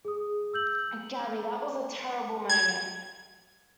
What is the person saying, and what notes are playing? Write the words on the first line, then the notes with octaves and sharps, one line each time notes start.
Gabby, that was a terrible moment.
G#4 D#6
E6 G6 F#7
G#6